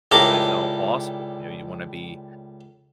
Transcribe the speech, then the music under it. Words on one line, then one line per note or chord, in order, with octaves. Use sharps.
at as all possible. You know, you wanna be
C#2 A2 G3 D4 A#4 D6